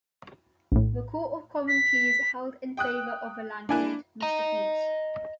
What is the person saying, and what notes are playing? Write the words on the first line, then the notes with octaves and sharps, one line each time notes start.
The Court of Common Pleas held in favour of the landlord, Mr Hughes.
A#1 A2
B6
G5 D#6 F#6
A#3 D4 E4 G#5 F#6
D#5 A#5